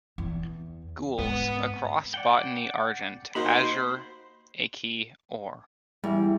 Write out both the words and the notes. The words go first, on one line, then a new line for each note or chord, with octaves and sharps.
Gules, a Cross bottony Argent; Azure, a Key Or.
E2
G#2 B3
D5 F#5 G5
A#3 D#4 F#4 C5 B5
E2 G3